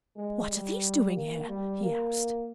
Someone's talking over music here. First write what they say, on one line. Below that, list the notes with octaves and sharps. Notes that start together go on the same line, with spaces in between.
"What are these doing here?" he asked.
G#3
G3
A#3
G3
A#3